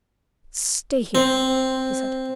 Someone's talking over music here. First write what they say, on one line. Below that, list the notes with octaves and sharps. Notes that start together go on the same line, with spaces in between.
"Stay here," he said.
C4